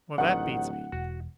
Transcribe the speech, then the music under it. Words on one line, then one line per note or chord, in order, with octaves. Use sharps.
Well, that beats me.
D1 A1 D#3 F#5
E1 F#4